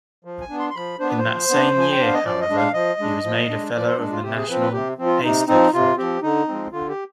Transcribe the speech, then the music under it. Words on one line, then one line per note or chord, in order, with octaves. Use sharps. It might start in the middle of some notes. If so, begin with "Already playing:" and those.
In that same year, however, he was made a Fellow of the National Eisteddfod.
F3
G#5
B3 D4
C6
C6
F3 B5
B3 D4 C5
B4
C5
F3
B3 D4
F3
G#5
G5
B3 D4 F5
D#5
F3 D5
D#5
G#3 D4
F5
F3 D#5
G#3 D4
F3
G#3 D4
F3 D5
B4
C5
G#3 D4
F4
C3 G4
G#4
F3 C4 B4
B4
C3 G4
F3 C4
F4
C3 D#4
F3 C4 D#4
C3 F4
F3 C4 G4
D3 D#4
F3 G#3 C4
D3 F4
G4